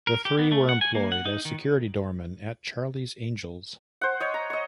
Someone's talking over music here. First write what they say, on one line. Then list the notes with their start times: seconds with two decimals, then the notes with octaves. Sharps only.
The three were employed as security doormen at Charlie's Angels.
0.07 A#4
0.25 G4
0.39 B3
0.52 A3
0.69 F#5
0.81 G#5
0.95 A#3
1.12 F#5
1.25 D#4
1.45 D#3
4.01 C5 F#5
4.20 C#5 D#5
4.34 A#5
4.50 D#5 C#6